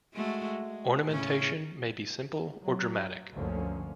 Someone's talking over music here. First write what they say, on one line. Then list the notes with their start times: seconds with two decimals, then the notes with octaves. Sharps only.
Ornamentation may be simple or dramatic.
0.14 G#3 A3 F#4
0.60 G#3
1.09 A2 C#3 C#4
2.62 F#3
3.33 G1 D2 D3 F3 A#3 C#4